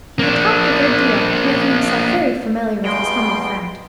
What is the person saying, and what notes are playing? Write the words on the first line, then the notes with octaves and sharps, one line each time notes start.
He had talked a good deal, making himself very familiar with his humble friend.
A#3 D4
E2 G2 B2 G#3 G5 C6